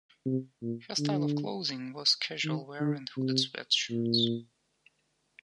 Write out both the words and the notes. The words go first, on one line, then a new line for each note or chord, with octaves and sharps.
Her style of clothing was casual wear and hooded sweat shirts.
C3
A#2
D3
D#3
D3
C3
A#2